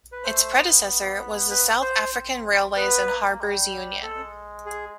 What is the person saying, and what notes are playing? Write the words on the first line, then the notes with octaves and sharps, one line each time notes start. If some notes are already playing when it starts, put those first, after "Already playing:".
Its predecessor was the South African Railways and Harbours Union.
B4
A3 C5
B3
B4
C5
C4
B3 B4
A#3
G3
G#3 A4
G#4